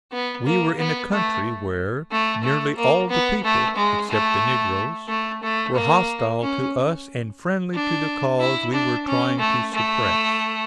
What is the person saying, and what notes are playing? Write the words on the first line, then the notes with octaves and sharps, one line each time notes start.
We were in a country where nearly all the people, except the negroes, were hostile to us and friendly to the cause we were trying to suppress.
B3
A#3
B3
A3
A3
A3
A#3
B3
A3
G#3
A3
A3
A3
A#3
C#4
D4
E4
D4
C#4
A3
A3